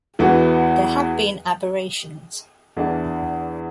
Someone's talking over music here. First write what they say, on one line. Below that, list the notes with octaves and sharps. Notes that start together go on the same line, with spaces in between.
There have been aberrations.
E2 E3 B3 F#4
E2 E3 D4